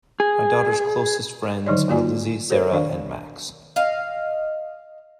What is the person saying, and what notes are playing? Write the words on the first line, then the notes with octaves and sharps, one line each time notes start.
My daughter's closest friends are Lizzie, Sarah and Max.
G#4
D3 D#3 F#3 D#4 C#5 D5
A#3 F4 F#4 D5 G#5
F#4 A4 C5 C#5
D#3 D4 D5 F5
D#5 F5